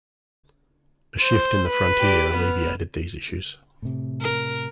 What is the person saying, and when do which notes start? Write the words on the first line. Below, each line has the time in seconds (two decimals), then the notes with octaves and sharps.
A shift in the frontier alleviated these issues.
1.21 C5
1.68 B4
1.99 G4 D5
2.33 B3 F6
3.82 A2 C3
4.22 A#4